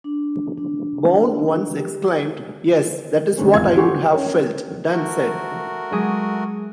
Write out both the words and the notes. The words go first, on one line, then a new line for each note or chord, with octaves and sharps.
Bourne once exclaimed: Yes, that is what I would have felt, done, said!
D4
D4
G4
D3 D#3 G#3 A3 C4 C#4
G#1 E2 F4 D#5 G#6
F#4 G4 A4 F#5 C6 C#6
C#4 A#4 C#5
A3 F#4 A#4
F#3 G#3 G#4